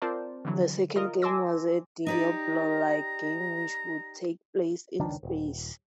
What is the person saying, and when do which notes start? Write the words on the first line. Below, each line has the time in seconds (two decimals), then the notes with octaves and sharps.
The second game was Diablo-like game which would take place in space.
0.02 C4 F4 A#4 C5 D5 A5
0.45 D3 E3 F#3
0.96 F4 A#4 D#5
1.22 G#5 A5 C6 D6 E6 A#6
2.07 D#4 G4 D5 A#5
4.99 F1 C#2 D#3 D4
5.23 D#1